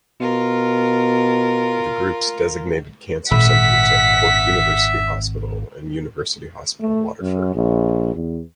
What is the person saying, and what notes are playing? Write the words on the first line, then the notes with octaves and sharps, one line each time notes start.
The Group’s designated cancer centres are Cork University Hospital and University Hospital Waterford.
B2 F4 A#4
G#1 A#2 E5 F#5 B6
A3
F#2
A#1
E2